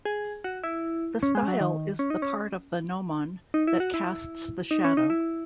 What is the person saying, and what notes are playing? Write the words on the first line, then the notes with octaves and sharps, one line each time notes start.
The style is the part of the gnomon that casts the shadow.
G#4
F#4
E4
C#4
G#3
F#3
D#3
C#4
D#4
C#4
D#4
E4
F#4
E4
D#4
C#4
D#4
E4